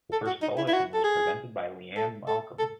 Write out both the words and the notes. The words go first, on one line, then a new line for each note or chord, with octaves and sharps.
The first bulletin was presented by Leanne Malcolm.
A4
F#4
D#4
E4
E4
F#4
A4
G#4
A4
A4
A4